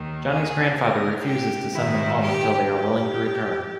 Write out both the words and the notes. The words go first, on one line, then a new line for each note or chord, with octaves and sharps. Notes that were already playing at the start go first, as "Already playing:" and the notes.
Johnny's grandfather refuses to send them home until they are willing to return.
Already playing: D#2 D#3
G#4
A#4
G4
G#2 D#3 E4
G4
G4